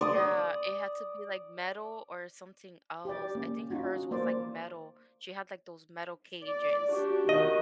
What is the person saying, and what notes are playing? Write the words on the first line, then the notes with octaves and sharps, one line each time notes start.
yeah, it had to be, like, metal or something else. I think hers was, like, metal. She had, like, those metal cages.
D5 D#6
G4 D5
A#3 C#4
C#4 D#4 F4 F#4
A#3 C5 D5
D5
D4 F#4 G4
D#3 F#4 D#5